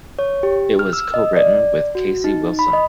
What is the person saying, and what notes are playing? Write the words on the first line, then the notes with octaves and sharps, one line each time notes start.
It was co-written with Kasey Wilson.
C#5
G4
F6
E6
D#5
D5
F#4
D#4
B5
D#5